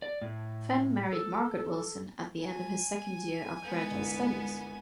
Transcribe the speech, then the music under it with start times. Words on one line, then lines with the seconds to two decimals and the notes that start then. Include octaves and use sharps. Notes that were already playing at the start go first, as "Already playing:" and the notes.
Fenn married Margaret Wilson at the end of his second year of graduate studies.
0.02 D5
0.22 A2
1.13 A4
2.43 G#5
3.62 G#3 B3 G6
3.91 G1 C2